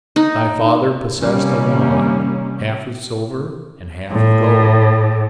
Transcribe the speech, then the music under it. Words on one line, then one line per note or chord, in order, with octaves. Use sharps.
Thy father possessed a wand, half of silver and half of gold.
D#4
C3 D#3 G3 A#3 C#4
A2